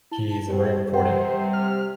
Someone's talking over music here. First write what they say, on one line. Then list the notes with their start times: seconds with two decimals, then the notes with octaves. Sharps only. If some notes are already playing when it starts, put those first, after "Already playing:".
he's a very important
0.11 E4 A5 G7
0.48 B2 G3 C4
0.94 C3 C5 F#5 G5
1.53 F6